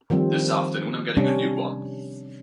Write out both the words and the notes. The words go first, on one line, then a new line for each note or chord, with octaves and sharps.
This afternoon I'm getting a new one!
D#3 F3 G3 C4
C3 G3 C#4 D4